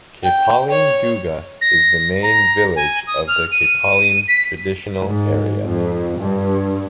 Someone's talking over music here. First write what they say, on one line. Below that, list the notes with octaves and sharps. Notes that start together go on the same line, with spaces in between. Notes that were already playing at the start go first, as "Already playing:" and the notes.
Kpalime Duga is the main village of the Kpalime Traditional Area.
G5
C#5
A#6
A#5
G#5
D#6
F6
D#7
B6
G#2
F2
G2